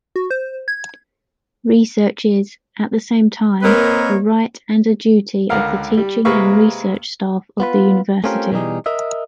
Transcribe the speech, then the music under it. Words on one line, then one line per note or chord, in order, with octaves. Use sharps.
Research is, at the same time, a right and a duty of the teaching and research staff of the university.
F#4
C5
G#6
A#3 C4 A#4 B4 C#5 D#5
C#2 D3 A#4 F5
G3
C3 G#3 A#3 B4 F5 C#6
B3 F4 B4
A3 C4 C#4 F4 G4 A#4
B2 E3 G3 D#4 G#4
A#4 D#5 E5